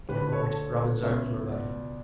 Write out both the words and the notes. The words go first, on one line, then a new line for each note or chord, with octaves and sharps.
In a moment Robin's arms were about him.
D2 D3 G4 B4
G4 B4
A4 C#5
A4 C#5
C#2 B2 C#5 E5
D5 F#5